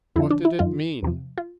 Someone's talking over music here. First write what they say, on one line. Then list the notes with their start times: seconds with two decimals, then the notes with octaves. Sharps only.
What did it mean?
0.16 F2 D3 F3 E4
0.30 D4
0.45 E4
0.59 F#2 D#3 F4
1.03 E2 C3 F3
1.38 F4